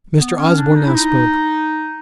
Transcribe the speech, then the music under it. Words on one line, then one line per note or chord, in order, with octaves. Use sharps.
Mr. Osborne now spoke.
B3
C#4
D4
D#4
E4
D#4